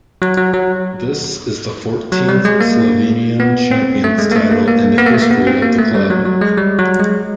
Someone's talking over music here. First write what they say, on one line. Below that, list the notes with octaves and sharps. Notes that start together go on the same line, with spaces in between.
This is the fourteenth Slovenian champions title in the history of the club.
F#3
F#3
F#3
F#3
G3
G#3
A#3
B3
C4
A3
G#3
A#3
A3
A#3
A#3
B3
A#3
A3
A#3
B3
C4
A#3
A3
G3
F#3
F#3
G#3
G3
F#3
G#3